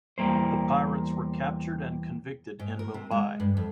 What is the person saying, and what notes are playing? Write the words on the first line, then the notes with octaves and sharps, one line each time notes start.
The pirates were captured and convicted in Mumbai.
E2 G3 A#3 C5
G#2
A#4
C3
G#3
G2
F2